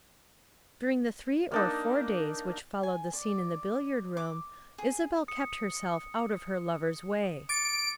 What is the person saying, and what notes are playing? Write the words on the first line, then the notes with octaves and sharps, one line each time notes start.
During the three or four days which followed the scene in the billiard-room Isabel kept herself out of her lover's way.
A#3 D4 D#4
G#5
D5
D6
G#4
D#6 C#7
D6 A6 C#7 D7